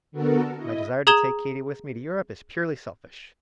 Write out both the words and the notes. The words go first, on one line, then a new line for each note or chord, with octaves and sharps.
My desire to take Katy with me to Europe is purely selfish.
D3 B3 F#4 A4 A#4
E4 D#5
G#4 A#5 D#6 G#6 E7 G7